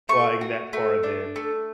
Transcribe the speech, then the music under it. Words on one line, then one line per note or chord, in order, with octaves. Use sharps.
flying that far then.
A3 C#6
F#4
A3
D4
A3